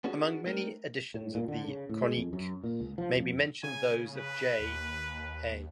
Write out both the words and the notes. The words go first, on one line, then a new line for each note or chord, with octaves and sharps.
Among many editions of the "Chronique" may be mentioned those of J.-A.
B3 C#4 D4 F#4 G#4
G#3 A3 C4 D#4 A#4
A2
A#2
D3
C#3
A2
G#3
F2
F#2
A#2
C#2
F3
F2
C#3 G#5
B4
D#2